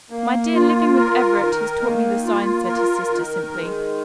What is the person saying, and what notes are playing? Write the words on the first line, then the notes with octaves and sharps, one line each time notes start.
"My dear, living with Everett has taught me the signs," said his sister simply.
A#3
F4
A#4
D#3
A#3
F4
A#4
D#3
G#3